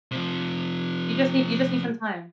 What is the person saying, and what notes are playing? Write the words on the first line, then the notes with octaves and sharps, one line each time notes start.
You just need you just need some time.
C3 F3